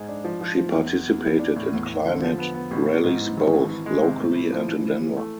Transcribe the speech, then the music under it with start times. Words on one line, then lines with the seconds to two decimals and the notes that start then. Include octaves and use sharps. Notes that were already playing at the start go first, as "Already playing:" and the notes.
She participated in climate rallies both locally and in Denver.
Already playing: G#2 G#4
0.09 D4
0.25 F3
0.41 F3
0.58 F3
0.74 E2
0.91 E2
1.07 E2
1.24 E3
1.39 D4
1.56 A2
1.73 E2
1.89 E2
2.05 D3
2.22 F3
2.39 B3
2.55 B3
2.71 A1
2.88 A1
3.04 G#2
3.20 E3
3.37 G#1
3.53 E3
3.70 E3
3.86 G#3
4.03 C3
4.18 A2
4.35 E4
4.52 F3
4.68 E3
4.85 E3
5.02 E3
5.17 A3